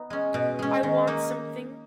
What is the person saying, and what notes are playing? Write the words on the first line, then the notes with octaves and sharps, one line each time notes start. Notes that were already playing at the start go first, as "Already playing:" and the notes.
I want something.
Already playing: B3 D#4
G#3 C#4
B2
G#3 C#4
D#3
A#3 D#4